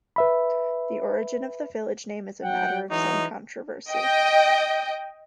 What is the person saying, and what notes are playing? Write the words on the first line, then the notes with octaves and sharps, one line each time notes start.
The origin of the village name is a matter of some controversy.
B4 E5 B5
F#3 F#5 G5
E3 F#3 G#3 D#4
D#5 G5